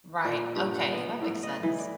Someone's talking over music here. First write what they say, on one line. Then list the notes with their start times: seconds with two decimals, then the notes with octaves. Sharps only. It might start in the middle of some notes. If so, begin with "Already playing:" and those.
Right. Okay, that makes sense.
0.25 A#2
0.56 G2
0.75 F#5
0.93 B3
1.22 A2
1.43 D#5
1.63 E3
1.79 D5